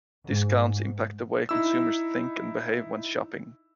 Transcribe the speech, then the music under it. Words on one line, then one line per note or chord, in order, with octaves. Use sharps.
Discounts impact the way consumers think and behave when shopping.
G#2
D#4 E4 E6